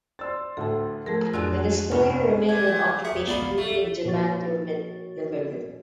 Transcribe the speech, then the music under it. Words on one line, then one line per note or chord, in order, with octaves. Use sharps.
The destroyer remained on occupation duty in Japan through mid-November.
C5 D5 C6 E6 A6
D2 A2 A4 A5
F3 A3 G#4 A#4 A#6
F2 F#3 D4 F4 F#4 G#4 E6 F#6
C2 G2 C#4 C#6
A#2 G#6
G#4 E5 C#7
B3 D5 F5 B5
A3
A#2 F3 F#4 C#5 A6